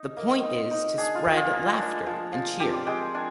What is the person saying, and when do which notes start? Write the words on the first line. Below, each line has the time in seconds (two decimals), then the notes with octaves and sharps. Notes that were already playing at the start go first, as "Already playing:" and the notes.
The point is to spread laughter and cheer.
Already playing: D#4
0.17 A#3
0.43 D#4
0.71 D#4
0.98 D4 G#4
1.15 F4
1.24 A#3
1.34 F4
1.51 A#3
1.78 D4
2.06 F3
2.32 F3
2.60 C4 G4
2.73 D5
2.87 G#3 G5
3.14 D4 G#5